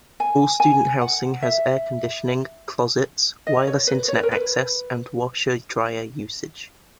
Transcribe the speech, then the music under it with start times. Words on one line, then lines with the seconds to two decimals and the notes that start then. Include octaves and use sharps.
All student housing has air-conditioning, closets, wireless Internet access, and washer-dryer usage.
0.20 G#5
0.60 G#5
1.01 F#5
1.42 E5
3.47 D#5
3.67 C#5
3.87 B4
4.08 C#5
4.16 B4
4.23 A#4
4.31 B4